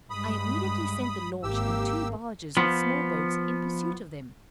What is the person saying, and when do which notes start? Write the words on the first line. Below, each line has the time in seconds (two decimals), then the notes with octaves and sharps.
I immediately sent the launch and two barges with small boats in pursuit of them.
0.10 G2 G#3 B5 D#6
1.43 G#1 A#3 G4 E6
2.57 F3 B3